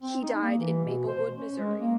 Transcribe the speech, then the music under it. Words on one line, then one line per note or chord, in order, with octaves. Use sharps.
He died in Maplewood, Missouri.
C4
D#4
A#3
E3
B2
C5
C#4
G#3
A#3